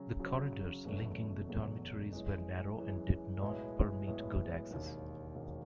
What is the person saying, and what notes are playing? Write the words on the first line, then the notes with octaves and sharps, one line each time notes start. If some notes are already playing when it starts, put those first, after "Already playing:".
The corridors linking the dormitories were narrow and did not permit good access.
Already playing: C#3 F#3 C#4 F#4
C#3 F#3 C#4 F#4
F#1 E2 B2 F#3 A3
F#1 E2 B2 F#3 A3
F#2 E3 G#3
F#2 E3 G#3
B1 A2 G#3 B3 E4
B1 A2 G#3 B3 E4
E1 D#2 D#3
E1 D#2 D#3